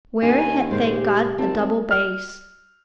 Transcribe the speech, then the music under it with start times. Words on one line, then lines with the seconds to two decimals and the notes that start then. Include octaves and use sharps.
Where had they got a double bass?
0.22 D#2 A#3 C#4 D4 G#5
0.71 A#2 C#3 G#3 C5
0.91 G4
1.38 G#1 C4 A5
1.91 F6